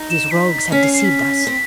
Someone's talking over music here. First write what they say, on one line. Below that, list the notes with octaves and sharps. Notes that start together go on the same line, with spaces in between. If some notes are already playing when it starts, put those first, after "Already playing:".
'These rogues have deceived us.
Already playing: D#4
E7
B6
C#4 B6
C7
C7
B6
C4